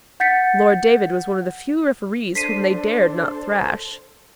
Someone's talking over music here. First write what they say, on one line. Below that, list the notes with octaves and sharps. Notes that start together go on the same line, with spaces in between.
Lord David was one of the few referees whom they dared not thrash.
F#5 G6 A6 B6 C#7
D4 A4 C5 B6 C7 D#7